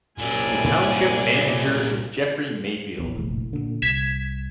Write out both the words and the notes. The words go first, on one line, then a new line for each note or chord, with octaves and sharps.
The Township Manager is Jeffrey Mayfield.
C2 F#2 A#2 A4 D5 G#5
A#1 E2
F1 A#1 A2
A#2 D3
C2 G#6 B6 E7